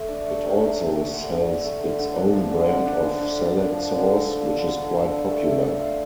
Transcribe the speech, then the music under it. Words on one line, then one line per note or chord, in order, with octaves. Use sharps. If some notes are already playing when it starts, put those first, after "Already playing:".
It also sells its own brand of salad sauce, which is quite popular.
Already playing: A3
D4
A3
C3
C3
D4
A3
D3
D3
D4
A3
D3
D3
D4
F3
D3
D3
D4
F3
D3
D3
D4
F3
D3
D3
D4
F3
D3
D3
A4
F4
A3
A3
A4
F4